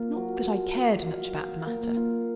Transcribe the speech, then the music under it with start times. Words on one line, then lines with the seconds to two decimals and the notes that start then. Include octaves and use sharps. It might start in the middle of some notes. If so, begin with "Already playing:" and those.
Not that I cared much about the matter.
Already playing: A#3 F4
0.16 F#3
0.46 F4
0.76 F#3
1.06 F4
1.36 F4
1.66 A#3
1.97 F4